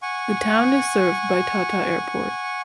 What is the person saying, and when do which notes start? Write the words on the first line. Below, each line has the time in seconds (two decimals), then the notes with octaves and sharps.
The town is served by Tata Airport.
0.02 F#5 G#5 C#6